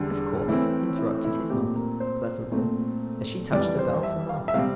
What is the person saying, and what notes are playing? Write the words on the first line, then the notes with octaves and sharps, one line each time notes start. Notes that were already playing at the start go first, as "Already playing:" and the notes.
"Of course," interrupted his mother, pleasantly, as she touched the bell for Martha.
Already playing: E2 D3 G3 D4
A2 E3 A3 C4 E4
E4
E4
A#2 A3 C4 G4
A#4
C5
A#2 A3 C4
F2 E3 G3 D5
C5
E5
F5
E5
C3 G3 C4 F5